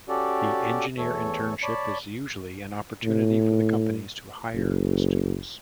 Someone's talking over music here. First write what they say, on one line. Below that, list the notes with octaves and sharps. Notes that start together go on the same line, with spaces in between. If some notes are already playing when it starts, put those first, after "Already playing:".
The engineer internship is usually an opportunity for the companies to hire the students.
C#4 F#4 G4 A4 D5
E2 E3 A3 A4 C#5
C#5 D5 A5 B5
A2
F#1